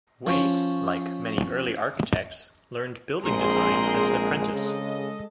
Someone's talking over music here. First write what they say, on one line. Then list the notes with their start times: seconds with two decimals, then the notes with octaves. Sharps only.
Waite like many early architects, learned building design as an apprentice.
0.27 F3 C#4
3.24 A#1 G#3 C4 G#4 A#4 A#5 C6
4.53 C#3 A4 D#5